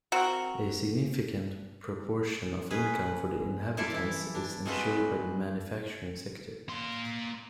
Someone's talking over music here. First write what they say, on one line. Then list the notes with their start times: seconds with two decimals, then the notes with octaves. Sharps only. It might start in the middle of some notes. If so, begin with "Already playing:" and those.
A significant proportion of income for the inhabitants is ensured by the manufacturing sector.
0.12 C4 F#4 A#4
2.70 G#3 C#4 G#4 B4
3.77 A#3 E4 F4 A4 D5 A5
3.92 E3 E4
4.35 D4
4.65 G#3 C4 F4 F#4 B4
6.69 A#3 C6